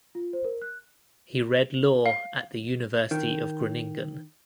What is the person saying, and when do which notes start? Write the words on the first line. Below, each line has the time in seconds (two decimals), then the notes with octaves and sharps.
He read law at the University of Groningen.
0.15 F4
0.33 C5
0.45 A#4
0.62 F#6
2.06 F5
3.11 D#3